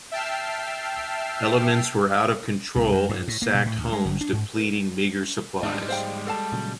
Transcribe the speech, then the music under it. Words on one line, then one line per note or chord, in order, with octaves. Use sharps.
Elements were out of control and sacked homes depleting meager supplies.
E5 G5 A5 E6 F6 C7
C2
F#2
G2
A2
A#3
B2
A2
D2
G#3
G1
D4
G#2
G#2 G3 G#3 D4
C5 F5 G5
A4 F5 A5
A#2 C#3 F#3